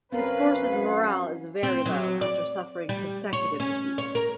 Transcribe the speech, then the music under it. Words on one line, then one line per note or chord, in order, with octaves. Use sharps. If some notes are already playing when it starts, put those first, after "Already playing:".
His forces' morale is very low after suffering consecutive defeats.
F#2 F#3 C4 C#4 A#4 B4 F5
C4
F#3
D5
G3
C#5
C#4
C#5
A#4